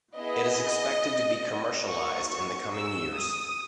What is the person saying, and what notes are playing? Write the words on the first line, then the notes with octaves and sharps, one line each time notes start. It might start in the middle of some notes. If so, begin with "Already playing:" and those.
It is expected to be commercialised in the coming years.
B3 E4 G#4 D#5
A#3 D#4 F#4 C#6
C#6
E6
D#6